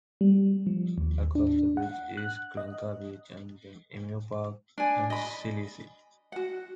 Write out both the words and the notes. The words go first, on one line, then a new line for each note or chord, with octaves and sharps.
Across the bridge, is Kinka Beach, and then Emu Park and Zilzie.
G3
F3
D#2
D4
F#5
F#6
D#5
D4 G#5
D#5 B5
F#4 F#5